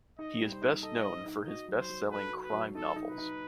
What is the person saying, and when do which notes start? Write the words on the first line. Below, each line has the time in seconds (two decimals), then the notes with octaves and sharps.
He is best known for his bestselling crime novels.
0.19 D#4 D#5
0.41 G3
0.52 C5
0.62 D#4
0.83 A4 D#5
1.04 C5
1.26 D#4
1.46 F#4 D#5
1.68 F#3
1.79 C5
1.90 F#3
2.11 A4 B4
2.32 F#4
2.43 B4
2.53 F#3
2.75 D#4 A4
2.96 D#4
3.07 B4
3.18 D#4